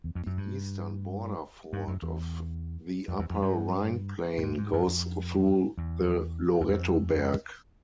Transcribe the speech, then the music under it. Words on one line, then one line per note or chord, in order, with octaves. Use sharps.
The eastern border fault of the Upper Rhine Plain goes through the Lorettoberg.
E2
F2
F#2
G2
G2
F#2
E2
F2
E2
F2
G2
A2
G#2
G#2
F#2
F2
E2
E2
F2